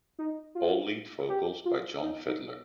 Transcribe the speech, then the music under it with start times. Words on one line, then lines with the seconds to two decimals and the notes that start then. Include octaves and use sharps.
All lead vocals by John Fiddler.
0.19 D#4
0.55 F4
1.29 G4
1.65 F4
2.02 D#4
2.27 D#4